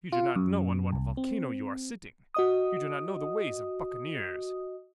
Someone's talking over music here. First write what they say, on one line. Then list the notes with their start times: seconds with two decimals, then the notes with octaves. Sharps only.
You do not know on what a volcano you are sitting. You do not know the ways of buccaneers.
0.12 F4
0.36 F#2
0.92 C2
1.17 C4
2.34 F#4 D#5 D#6